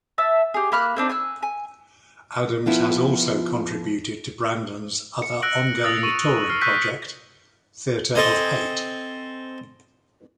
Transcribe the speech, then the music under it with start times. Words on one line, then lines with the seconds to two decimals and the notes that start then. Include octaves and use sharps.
Adams has also contributed to Brandon's other ongoing touring project, Theatre of Hate.
0.18 E5 A5 E6
0.54 G4 G#4
0.72 A#3 B5 F6 F#6
0.97 A#3 C4 D4 D#4
1.09 G#5 E6 F#6
1.43 G#5
2.66 F3 B3 E4 F4
5.22 C#7
5.42 E6 F#6 A#6 D7 F#7
5.84 D#6 E6 F#6 A6 A#6 F7
6.03 C#6 D#7
6.50 F6 C7
6.61 C#6 E6 F#6 G6 B6 D#7
8.15 C4 A4 C5 D#5 G#5